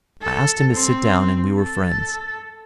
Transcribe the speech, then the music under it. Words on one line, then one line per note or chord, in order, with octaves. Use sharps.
I asked him to sit down and we were friends.
A4
C4
A4